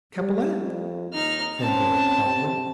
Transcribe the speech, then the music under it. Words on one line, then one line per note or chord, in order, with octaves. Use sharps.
"Capellette," from Billie promptly.
G3
F2
D#2 D#4 F6
C4 C#4 A5
C3